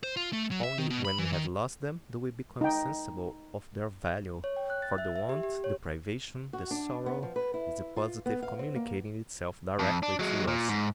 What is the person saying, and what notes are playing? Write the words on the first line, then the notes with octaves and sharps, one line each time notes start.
Only when we have lost them do we become sensible of their value; for the want, the privation, the sorrow, is the positive, communicating itself directly to us.
C5
F4
A3
F#3
E5
D#3
B2
B5
E3
D#3
D#4 G5
C#5
G5
F#6
A6
E5
E5
G4
G4
C#5
F#4
D4
B3
F3
B4
E4
F4
B3
F5
C4
A#3
F2
D4
F#3 G#3
A#2
G#2